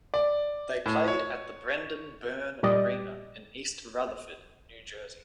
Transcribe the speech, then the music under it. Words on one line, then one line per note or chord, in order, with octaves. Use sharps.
They played at the Brendan Byrne Arena in East Rutherford, New Jersey.
D5
A2
C#5
A#2 G3 G4 D5 D#5